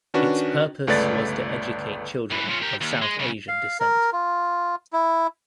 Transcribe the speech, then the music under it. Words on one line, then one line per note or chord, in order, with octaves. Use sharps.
Its purpose was to educate children of South Asian descent.
D#3 C#4 D4 F#4 B4
G1 C#2 A3 B4 D5 A6
F#2 E3
F3 C#4
G4 A#4
D#2
G#3
B1 C#3
F5
A#4
F4
E4